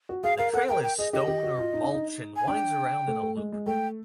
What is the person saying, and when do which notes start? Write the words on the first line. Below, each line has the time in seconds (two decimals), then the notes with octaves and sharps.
The trail is stone or mulch and winds around in a loop.
0.09 F#4
0.24 G#4 F5
0.38 A#4 F5
0.53 A4 F#5
0.69 A#4 G5
0.83 G5
0.98 G#4 D#5
1.13 G4 D#5
1.28 G4
1.43 F#4
1.58 F4
1.73 D#4
1.83 D4
1.94 D#4
2.36 G#5
2.47 D4 G5
3.07 A3
3.22 A3
3.37 G#3
3.52 G#3
3.66 A3 G5